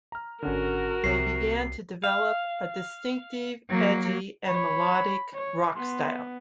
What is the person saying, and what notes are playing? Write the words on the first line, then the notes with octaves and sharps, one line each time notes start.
They began to develop a distinctive, edgy and melodic rock style.
A#5 F6
G#1 D3 C#4 F#4 A#4 F#5 F6
C2 C3 C#6 C7
F5
F#3 A#3
C#5 B5
C#5
B3 C6